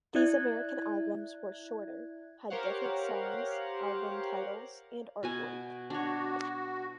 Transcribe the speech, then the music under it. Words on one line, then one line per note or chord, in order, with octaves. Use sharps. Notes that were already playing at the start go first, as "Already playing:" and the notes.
These American albums were shorter, had different songs, album titles and artwork.
E4 D5 E5 F#6 G#6
G4 A#4 C5 C#5 F5 F#5
B2 F#4 G#5
D4 F#4 C#5